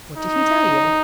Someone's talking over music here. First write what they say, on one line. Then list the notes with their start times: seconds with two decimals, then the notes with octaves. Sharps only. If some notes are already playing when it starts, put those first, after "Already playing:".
"What did he tell you?"
0.17 D#4